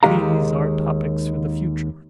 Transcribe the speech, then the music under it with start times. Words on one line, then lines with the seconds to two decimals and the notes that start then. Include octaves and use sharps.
These are topics for the future.
0.03 D#2 D#3 G#3 G4 F5 A#5